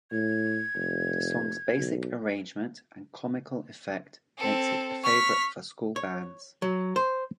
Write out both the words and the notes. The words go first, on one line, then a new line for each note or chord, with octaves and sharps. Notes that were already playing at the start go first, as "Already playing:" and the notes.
The song's basic arrangement and comical effect makes it a favourite for school bands.
A2 G#6
F1
B1
C4 A4
C#6 F6 B6
C#5
F#3
C5